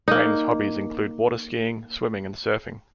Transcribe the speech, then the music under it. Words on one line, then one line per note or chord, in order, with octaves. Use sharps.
Crane’s hobbies include water skiing, swimming and surfing.
A#3 D#4